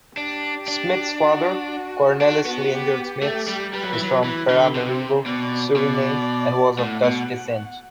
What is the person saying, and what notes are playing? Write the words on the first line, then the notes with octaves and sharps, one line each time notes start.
Smits's father, Cornelis Leendert Smits, was from Paramaribo, Suriname, and was of Dutch descent.
D4 G4
D4
F#4
F#4
D4
B3
G4
A3
G3
G3 B4
F#3
E3
F#3
E3 B4
D3
C3 C5
B2 D5
B2 D5
A2 F#5
B2